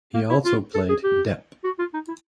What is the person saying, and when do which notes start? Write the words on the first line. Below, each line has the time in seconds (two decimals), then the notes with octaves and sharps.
He also played Dep.
0.14 A#3
0.30 E4
0.45 F4
0.75 A4
0.89 G#4
1.04 G4
1.64 F#4
1.79 F4
1.94 D#4
2.08 E4